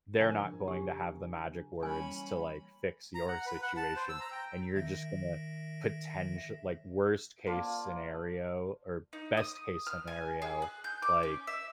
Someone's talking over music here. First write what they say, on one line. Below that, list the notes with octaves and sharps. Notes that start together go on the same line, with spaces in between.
they're not going to have the magic words to, like, fix your situation, and you're just gonna potential like, worst-case scenario or best-case scenario, like,
C#3 F3 D4 A#4 G#5
G4
E3 G3 A#3 C#4 G#5 B5
A#5
F#5
B4
F#5
A5
C5
E6
A#5
G5
D#3 E5 A#6
A#3 F4 D5 A5
D#4
D#6
F6
G#5
G#4
F#6
G6
D6
C#4
E5